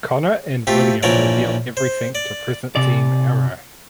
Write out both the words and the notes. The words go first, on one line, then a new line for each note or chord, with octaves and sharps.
Connor and William reveal everything to Present Team Arrow.
A3 C4 F4 G4
A#1 E3 F3 A#4 C#5 D5
C5
D5
C3 D5